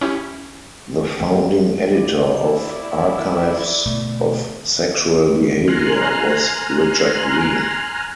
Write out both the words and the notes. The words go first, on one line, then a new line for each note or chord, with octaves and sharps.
The founding editor of "Archives of Sexual Behavior" was Richard Green.
C#4 E4 G4
E4 D5
D2 B2 A3
G#5 A#5 C6 F6 F#6